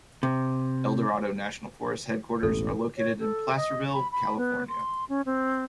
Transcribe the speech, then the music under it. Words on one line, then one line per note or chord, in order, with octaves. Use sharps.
Eldorado National Forest headquarters are located in Placerville, California.
C3
E1 A1 A4
C#5
A4
D#5
B5
B5
B3
C6
C#4
C4